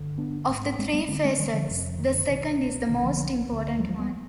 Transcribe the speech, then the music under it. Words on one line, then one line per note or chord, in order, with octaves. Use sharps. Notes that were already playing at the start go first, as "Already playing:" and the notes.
Of the three facets, the second is the most important one.
Already playing: G1 D3
B3 D4
G#1 G#2
G#3 C4
G3 B3
D2 D3 G#3 C4
G#3 C4
D#3 G3
D3 F3
F1 F2 C3
D#3
D3
C2 B2 D#3
B1 B2 D#3
D3 F3
D2 D3
F3 G#3
F3 G#3
G3 B3